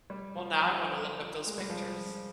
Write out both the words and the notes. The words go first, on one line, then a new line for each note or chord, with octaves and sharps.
Well, now I wanna look up those pictures.
G3
F3
F3
G#3
G3
F3